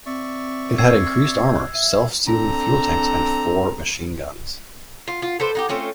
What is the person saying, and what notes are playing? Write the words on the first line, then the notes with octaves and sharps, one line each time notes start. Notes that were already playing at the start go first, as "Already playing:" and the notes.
It had increased armor, self-sealing fuel tanks, and four machine guns.
C4 D5 E5 C#6
E6 G#6 C7
E5
C4 D4 A4 A#5
F4
F4
A4 B4 C5 D5
D#4 F#4 G4
A3 C4 C#4 F4